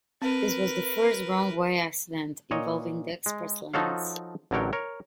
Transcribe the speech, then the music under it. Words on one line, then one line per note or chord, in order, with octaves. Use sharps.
This was the first wrong-way accident involving the express lanes.
C4 A#4 B4
A#2 C#5 D#5
G#3
F3 D#4 F#4 A4 C#5 F5
A1 D3 F#3 A#4 C#5 G5
A#4 C#5